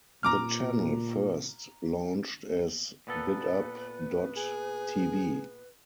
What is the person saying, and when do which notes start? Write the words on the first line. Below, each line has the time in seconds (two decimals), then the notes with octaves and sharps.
The channel first launched as "Bid-Up dot tv".
0.23 A#2 A#5 D6 F6
3.07 A#2 B3 A4 B4
4.37 G#4